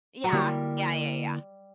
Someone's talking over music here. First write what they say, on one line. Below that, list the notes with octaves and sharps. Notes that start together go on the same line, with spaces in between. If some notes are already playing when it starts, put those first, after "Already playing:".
Yeah. Yeah, yeah, yeah.
F#3
D3 G3 A#3 E4 A#4